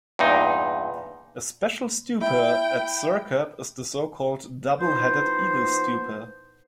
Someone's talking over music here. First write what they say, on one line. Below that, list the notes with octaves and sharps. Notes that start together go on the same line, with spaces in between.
A special Stupa at Sirkap is the so-called 'Double-Headed Eagle Stupa'.
E2 G2 A#2 D#4
E4 G5
F3 B3 D#4 E4 C5